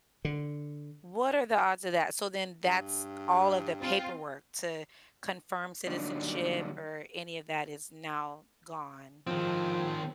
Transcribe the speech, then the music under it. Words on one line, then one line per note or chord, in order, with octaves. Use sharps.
What are the odds of that, so then, that's all of the paperwork to confirm citizenship, or any of that is now gone? Mm.
D3
G2
C4 F4
D3 F#3 G3 A#3 D4 D#4
D#3 F3 C4